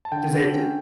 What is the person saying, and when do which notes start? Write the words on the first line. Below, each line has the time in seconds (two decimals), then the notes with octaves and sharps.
Does it do
0.05 A5
0.12 D3 G5
0.33 D3
0.55 C#4